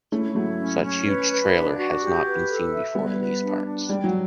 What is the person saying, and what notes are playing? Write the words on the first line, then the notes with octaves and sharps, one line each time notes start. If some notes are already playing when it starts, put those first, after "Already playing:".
Such huge trailer has not been seen before in these parts.
A3 C#4 E4
F#3 A3 E4
C#4
C#4
B4
B4
D4
F#4
G4
B4
A4
E5
G3 B3 B4
B4
D4
D4
G3 G5
F#3